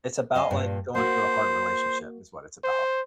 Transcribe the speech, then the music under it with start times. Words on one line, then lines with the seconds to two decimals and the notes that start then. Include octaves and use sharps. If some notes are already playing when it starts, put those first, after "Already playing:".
it's about, like, going through a hard relationship, is what it's about.
0.35 D#5 F5 G#5
0.51 G2 A#2
0.95 A#3 F#4 C5
2.64 C5